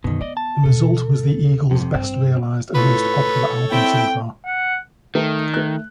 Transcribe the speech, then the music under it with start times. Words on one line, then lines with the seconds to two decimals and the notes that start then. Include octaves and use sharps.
The result was the Eagles' best-realized and most popular album so far.
0.04 F#2 B2 D3 D#3
0.21 B3 D5 D#5
0.37 A5
0.63 D#2 B2 A4
1.71 F2 C3
1.94 A1 G2 C4
2.75 A2 F4 A4 B4 C#5
3.72 C4 E4 G5
4.46 F#5
5.15 D#3 A3
5.54 A3 F#6